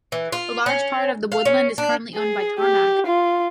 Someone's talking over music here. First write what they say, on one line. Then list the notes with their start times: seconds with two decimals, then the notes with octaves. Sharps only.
A large part of the woodland is currently owned by Tarmac.
0.12 E3
0.32 F4
0.66 C#4
1.32 F5
1.45 C#4
1.78 D4
2.15 G#4
2.58 G4
3.06 F4